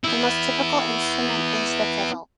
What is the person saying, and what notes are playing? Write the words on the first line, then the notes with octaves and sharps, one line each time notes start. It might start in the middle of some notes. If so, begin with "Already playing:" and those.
The most typical instrument is the fiddle.
B3 E4